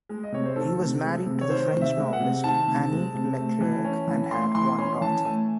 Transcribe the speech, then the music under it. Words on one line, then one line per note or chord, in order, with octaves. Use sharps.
He was married to the French novelist Annie Leclerc and had one daughter.
G#3
D#5
C3 C#5
C5
D#3 A4
C3
G#3
C3
C#5
D#3 C5
C3
E5
G#3
F#5
C3
D#3 A5
C3
G#3
C3
A3
E3
C#4
E3
A3 C6
E3 C6
C#4 C6
E3 A5
A3 G#5